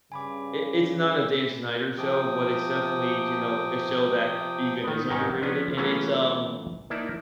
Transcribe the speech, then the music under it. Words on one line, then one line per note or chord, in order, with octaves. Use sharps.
i it's not a Dan Snyder show, but it's definitely, you know, a show that even is underrated, and it's um
G2 C#3 G#5 B5 D6
C3 F3 G5 D6 D#6
D#3 B3
G#2 D#3 C#4 D#4 A#4
F3 B3 C#4 D4 B4
E3 F#3 A3 B3 C#4 F4
A#3 D#4 E4 D5 A5